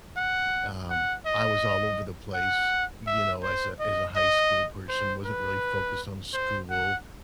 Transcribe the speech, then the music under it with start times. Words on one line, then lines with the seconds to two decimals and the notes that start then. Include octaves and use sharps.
um, I was all over the place, you know, as a as a high school person, wasn't really focused on school,
0.17 F#5
0.90 F#5
1.26 D#5
2.34 F#5
3.07 E5
3.43 C5
3.80 D#5
4.16 D#5
4.89 C5
5.25 B4
6.34 C5
6.70 F#5